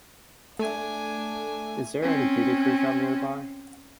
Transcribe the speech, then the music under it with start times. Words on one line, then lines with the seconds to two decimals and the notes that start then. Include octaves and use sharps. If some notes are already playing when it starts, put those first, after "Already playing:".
Is there any duty free shop nearby?
0.59 A3 D4 G#5
2.02 C4 C#4